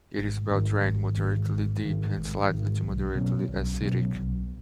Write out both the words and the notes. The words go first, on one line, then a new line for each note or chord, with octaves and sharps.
It is well drained, moderately deep, and slightly to moderately acidic.
G#1
G#2 D#3
G#1
G#2 D#3
G#1
G#2 D#3
G#1
G#2 D#3
B1
B2 F#3 C#4
B1
B2 F#3 C#4
B1